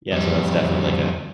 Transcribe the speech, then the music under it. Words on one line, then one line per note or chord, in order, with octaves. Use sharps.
Yeah, so that's definitely like a
F2 G3